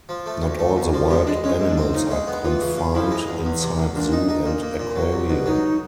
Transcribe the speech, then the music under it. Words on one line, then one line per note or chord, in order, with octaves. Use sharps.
Not all the wild animals are confined inside Zoo and Aquarium.
F3
A3
D2
A3
D2
F3 F#4
F#4
G#3 G4
G#3 D4
G#3 C#4
G#2
D4
C4
C#3 D#4
G#3
B3
E3 F4
C#3
C#3
F3 E4
G#3
E2
E2
C3
E2
A#2 D4
D#4
D#4
A#2
A#2
A#2
F#3
C2
B2
F#3 D#4